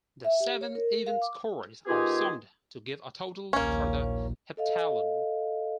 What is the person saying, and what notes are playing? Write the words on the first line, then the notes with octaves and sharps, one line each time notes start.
The seven event scores are summed to give a total for the heptathlon.
E5
G4
C#5
A#4
A#4
F5
D6
D#3 B3 F4 G4 G#4
A#1 D#2 A#3 C#4
A4 D#5 F5